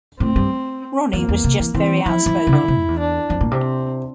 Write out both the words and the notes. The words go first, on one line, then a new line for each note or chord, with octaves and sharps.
Ronnie was just very outspoken.
A2 C4
G2
E2 A#3
E2
C3
E3
E3 C4
F3 E4
F3
E3
C3
D3
C3
F2
E2
D4
F2
A#2
C3
C4